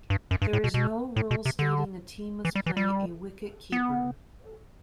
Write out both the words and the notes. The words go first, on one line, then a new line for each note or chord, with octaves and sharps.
There is no rule stating a team must play a wicket-keeper.
G2
F#2
G2
A2
B2
B2
A2
B2
C3
D3
E3
G3
E3
G3
B3